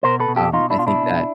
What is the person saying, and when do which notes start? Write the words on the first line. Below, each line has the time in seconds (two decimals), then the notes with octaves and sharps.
um, I think that
0.03 B2 A#4 C5
0.20 A4 B4
0.28 B2
0.36 G4 A4
0.53 B2 D#4 F4
0.70 D4 E4
0.78 B2 F4
0.87 D4 E4
1.03 B2